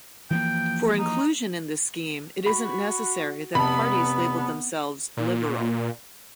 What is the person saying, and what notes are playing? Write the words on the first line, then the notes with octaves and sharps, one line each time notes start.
For inclusion in this scheme it isn't necessary that parties labelled themselves 'liberal'.
E3 F3 A#3 G5
D#4
F#4 B5
F1 B3 A5 B5
A#2